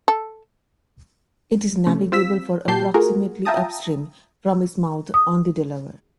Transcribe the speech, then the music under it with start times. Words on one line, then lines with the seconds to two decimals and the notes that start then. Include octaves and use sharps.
It is navigable for approximately upstream from its mouth on the Delaware.
0.08 A4
1.87 C3 A3 C#4
2.12 C4 F4 E6 B6
2.68 A#2 F#3 G4 A5 G6 C7
2.94 A3 A#3 F4 F#4 G#4 A#4
3.45 F4 E5 G5 A5 A#5 D#6
5.14 D#6